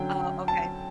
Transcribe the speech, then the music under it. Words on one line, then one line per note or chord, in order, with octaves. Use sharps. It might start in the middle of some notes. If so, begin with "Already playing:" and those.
Oh, okay.
Already playing: D3 F#3 C#4 G5
A5